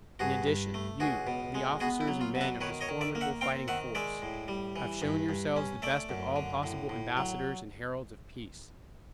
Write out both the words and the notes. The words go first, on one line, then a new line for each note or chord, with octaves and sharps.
In addition, you, the officers and men of this formidable fighting force, have shown yourselves the best of all possible ambassadors and heralds of peace.
G2 F#4 G#4
G2
A3
C#2 F#4 G#4
B2
G#3
B3 F#4 G#4
E4
F#3
F4
B2
A4 B4
D#3 B4 C#5
C#5 D#5
D#3
D5 E5
A#3
E5 F#5
C4 F5 G5
D#3 E5 F#5
G#3 D5 E5
A2
G3
E3
G2
G2
C#4
A3 D5 E5
F#2
D3
A2
A2
F#3